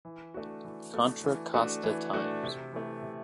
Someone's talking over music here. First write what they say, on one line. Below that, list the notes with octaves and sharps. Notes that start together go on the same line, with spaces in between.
Contra Costa Times.
E3
A3 D4 F#4
E3
A3 D4 F#4
E3
A3 D4 F#4
E3
A3 D4 F#4
C3
E3 A3
C3